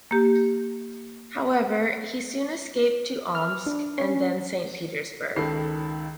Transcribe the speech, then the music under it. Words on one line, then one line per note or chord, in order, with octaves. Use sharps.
However he soon escaped to Omsk and then to Saint Petersburg.
A#3 G4
F6
D4
C#4
C#2 D#3 A4 B5 C7